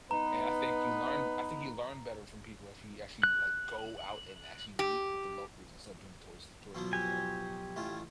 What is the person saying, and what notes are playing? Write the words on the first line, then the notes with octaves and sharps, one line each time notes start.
And I think you learn I think you learn better from people if you actually, like, go out and actually meet with the locals instead of doing the tourist touristy, uh,
B3 D#4 B4 A#5
F#6
G4
B2 F3 F#3
G4 G#5
A1 A3 F4